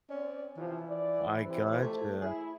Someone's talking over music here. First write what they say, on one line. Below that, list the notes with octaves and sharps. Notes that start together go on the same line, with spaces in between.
I gotcha.
C4 C#4 D5
C3 E3 F3
D5
F2 C3 C5
A3
E4 G#4